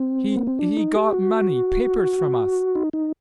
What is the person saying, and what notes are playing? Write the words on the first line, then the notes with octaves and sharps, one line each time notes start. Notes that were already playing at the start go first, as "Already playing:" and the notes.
He--he got money--papers--from us.
Already playing: C4
A#3
C4
D4
D#4
G4
F#4
D#4
D#4